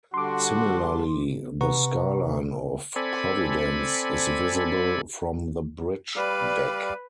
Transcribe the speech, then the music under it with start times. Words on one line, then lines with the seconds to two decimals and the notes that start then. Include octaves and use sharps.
Similarly, the skyline of Providence is visible from the bridge deck.
0.14 D3 G3 D4 F#4 C6 D6
1.61 C3 B4 F#5 A#5 C#6
2.96 C4 A4 D5 G#5 B5
6.16 G3 B4 D5 F5